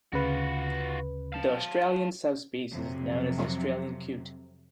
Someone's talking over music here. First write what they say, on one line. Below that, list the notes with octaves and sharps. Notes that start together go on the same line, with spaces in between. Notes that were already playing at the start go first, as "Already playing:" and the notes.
The Australian subspecies is known as the Australian coot.
D2 C#3 F4 F#4 B4
F5 A5
F2 C3 F#3